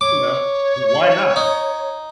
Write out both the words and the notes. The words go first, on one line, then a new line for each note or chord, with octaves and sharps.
you know, why not?
C#5 D6
D#4